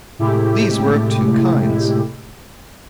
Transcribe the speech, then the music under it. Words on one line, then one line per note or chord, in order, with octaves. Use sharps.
These were of two kinds.
A2 C3 G#3 A3 E4 G4